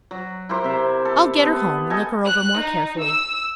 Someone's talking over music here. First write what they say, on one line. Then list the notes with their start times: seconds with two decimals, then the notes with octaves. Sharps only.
"I'll get her home and look her over more carefully."
0.11 F#3
0.49 E4 G4 A#4 C5
0.64 C3 E5
1.05 A4
1.43 B3
1.90 A4 D#5 G5 G#5
2.25 F#6
2.59 D#4
3.00 E6